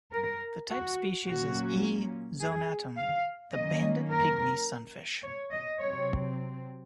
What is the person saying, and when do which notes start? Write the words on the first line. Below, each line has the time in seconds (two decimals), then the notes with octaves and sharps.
The type species is "E. zonatum," the banded pygmy sunfish.
0.12 A#4
0.70 F#4
1.26 A#2 F#3 A#3 C#4 F#4
2.40 G#4
2.97 F5
3.53 D#3 F#3 A#3 C#4 D#5
4.10 A#4
5.23 C#5
5.51 D#5
5.80 C3 F#3 C4 C#5